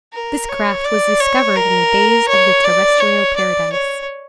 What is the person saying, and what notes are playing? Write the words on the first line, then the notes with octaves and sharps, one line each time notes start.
This craft was discovered in the days of the terrestrial paradise.
A#4
C#5
D5
C#5
A#4
C#5
D5
C#5
D5
C#5